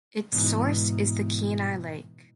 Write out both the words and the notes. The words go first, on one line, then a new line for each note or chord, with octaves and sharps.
Its source is the Kenai Lake.
G#2 B2 E3 D#4